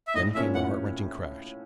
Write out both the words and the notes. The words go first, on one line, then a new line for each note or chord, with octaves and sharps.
Then came the heart-rending crash.
E5
A2 D#5
F3 A#3 C#4 E5
A2 F#5